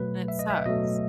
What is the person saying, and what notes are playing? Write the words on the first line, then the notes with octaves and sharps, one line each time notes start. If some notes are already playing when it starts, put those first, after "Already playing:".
and it sucks.
Already playing: B2 F#3 A3 B4
E5
D#5
E5
B2 F#3 A3 D#5